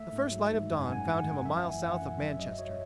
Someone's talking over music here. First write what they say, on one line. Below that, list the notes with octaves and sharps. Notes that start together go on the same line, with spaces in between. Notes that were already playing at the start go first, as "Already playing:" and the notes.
The first light of dawn found him a mile south of Manchester.
Already playing: A3 E5
G#2
F#3
G#2
F#2
G#5
F#5
F#2 G#5
A3 F#5
F#2
F#2 E5
F#5
E3
G#5
F#2 F#5
F#2
F#2 E5
F#3 D#5
F#3 C#5